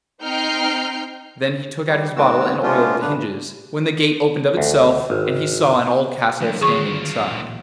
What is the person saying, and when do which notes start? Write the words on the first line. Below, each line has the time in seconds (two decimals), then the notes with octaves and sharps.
Then he took out his bottle and oiled the hinges, when the gate opened of itself, and he saw an old castle standing inside.
0.24 C4 D#4 G5 F6 G6 C7
1.87 G3
2.16 D#2 G#2 B3 C4 F#4 E6
2.63 G#3 A3 B3 C#4 D4 F4
3.02 G2 D3 D4 B4
4.57 D2
5.10 G#1
6.40 D2 F3 G3 A#3
6.61 D3 D#3 F#3 C4 F4 G#4 C#6
7.20 D1 A#2 E3